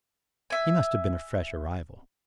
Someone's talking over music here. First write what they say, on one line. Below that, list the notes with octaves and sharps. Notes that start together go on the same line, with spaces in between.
He must have been a fresh arrival.
E5 G#5